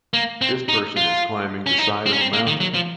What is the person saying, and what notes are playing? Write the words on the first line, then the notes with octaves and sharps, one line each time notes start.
This person is climbing the side of a mountain.
A#3
C4
D#4
F4
C#4
D#4
C4
C#4
C4
A#3
D#3
F#3
F3